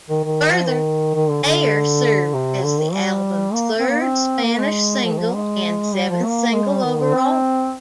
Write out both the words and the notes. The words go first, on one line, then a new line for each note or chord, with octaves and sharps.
Further, "Ayer" served as the album's third Spanish single and seventh single overall.
D#3
D#3
F3
D#3
D#3
D3
D3
C3
D3
D#3
G3
A#3
C4
A#3
C4
A#3
G#3
F3
D#3
F3
G#3
G3
F3
A#3
G#3
G3
D#3
D3
C4